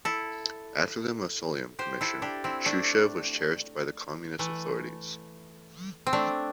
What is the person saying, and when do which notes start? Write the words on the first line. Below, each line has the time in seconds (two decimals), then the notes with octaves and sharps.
After the mausoleum commission, Shchusev was cherished by the Communist authorities.
0.05 E4 A4
1.79 G4 C5
2.01 E4 A4
2.22 D4 G4
2.44 C4 E4
2.66 A3 D4
4.39 E3 A3
6.07 C4
6.13 A3 D4